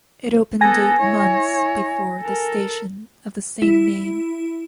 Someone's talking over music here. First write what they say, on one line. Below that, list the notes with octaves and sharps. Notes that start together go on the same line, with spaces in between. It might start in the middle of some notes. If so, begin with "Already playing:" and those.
It opened eight months before the station of the same name.
B3 A4 G#5 A#6
E4 C#5
A4 A#4
E4